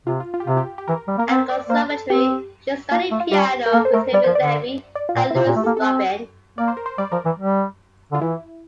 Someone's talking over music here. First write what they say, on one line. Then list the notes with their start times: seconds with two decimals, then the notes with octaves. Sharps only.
At the Conservatory, she studied piano with Heniot Levy and Louise Robyn.
0.06 C3 F4
0.20 F4
0.34 F4
0.40 G4
0.47 C3 F4
0.57 G4
0.78 G4
0.88 E3 A#4
1.08 G3
1.18 A#3 A#4
1.29 C4 C5
1.49 D5
1.69 A#3 C5
1.90 A4
2.10 C4 G4
2.91 A#3 F4
3.11 A3
3.20 F4
3.32 G3 G4
3.66 A#4
3.73 A#3 A4
3.85 C5
3.93 A3 A#4
4.13 G3 D5
4.24 F3 C5
4.35 D5
4.41 D3
4.95 D5
5.09 F4
5.16 A#2
5.31 E4
5.35 C3 F4
5.46 A#2
5.49 G4
5.56 A3
5.63 A4
5.66 A#3
5.77 C4 A4
6.58 A#3 D5
6.68 C5
6.77 A#4
6.86 C5
6.98 G3 D5
7.12 F3 A#4
7.25 E3
7.39 G3
8.12 D3 F4
8.21 E3 E4